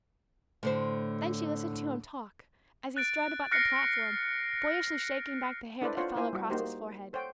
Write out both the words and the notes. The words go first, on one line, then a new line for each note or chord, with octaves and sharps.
Then she listened to him talk, as he strode about the platform, boyishly shaking back the hair that fell across his forehead.
A2 D3 C5
F#6 A6 D7
F6 F#6 A#6 C7 C#7
D4 E4 A4 B4 C5 D5
D4 F4 C5 C#5 F#5
A#3 E4 C5 G#5
G3 F#4
A#3 D#4 F#4 G4 C5
A4 C5 C#5 F#5 G5